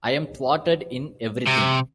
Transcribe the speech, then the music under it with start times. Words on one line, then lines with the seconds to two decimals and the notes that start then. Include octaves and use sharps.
I am thwarted in everything.
1.47 C3